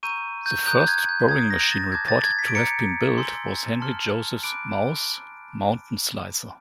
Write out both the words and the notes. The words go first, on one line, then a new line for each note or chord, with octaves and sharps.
The first boring machine reported to have been built was Henri-Joseph Maus's "Mountain Slicer".
A#5 C#6 E6 G6 D#7
G6
A#5 D#6 F#6 G6
G6
G#6
G6
A#5 D#6 F#6 G#6
A#6
A6
A5 D6 F#6 G#6
A6
G#6
B6
D7
A#5 D6 G6 C#7
G#5 C6 E6 G6
A5 C6 F6
B5 D6 F#6 D7